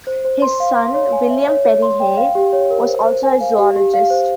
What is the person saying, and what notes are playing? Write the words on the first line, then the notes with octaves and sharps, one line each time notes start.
His son, William Perry Hay, was also a zoologist.
C5
C5
C6
F5
C6
C#5
G#5
E5
C#5
C#5
C6
G5
F5
G4
C#5
A#4
C5
C5
G#5
F5
G4
G4
F5
C5